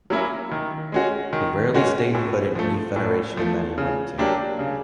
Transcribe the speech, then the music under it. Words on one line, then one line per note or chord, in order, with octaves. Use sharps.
He rarely stayed put in any federation that he went to.
F#3 A#3 C#4 E4
D#3
G#3 C#4 F#4
D#3
G#3 C#4 F#4
A2
F3 A3
A2
F3 A3
C#3
F#3 A#3 D4 G4
C#3